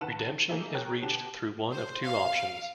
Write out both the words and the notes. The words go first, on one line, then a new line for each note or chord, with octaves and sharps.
Redemption is reached through one of two options.
B1 D#3 B4 F#5 A5 E7
D#3
A3 A#3 D#4 G#4 E5
G#4 A#4 C#5 G5 A#5 F#6
B2 D3 G4 E7
C5
F5